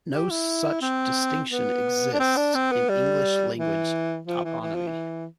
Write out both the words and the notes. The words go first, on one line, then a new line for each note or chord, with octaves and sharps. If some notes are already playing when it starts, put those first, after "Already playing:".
No such distinction exists in English-language toponymy.
G4
E4
C4
B3
D4
C4
D4
C4
B3
G3
E3
F3
E3
E3
F3
E3